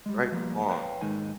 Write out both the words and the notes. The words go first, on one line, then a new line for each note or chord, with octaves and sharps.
Right on.
G3 G#3
F3 G3 A#3
B4 C#5 F5 G5
D#2 G#2 D#3 G#3 D#4 G#5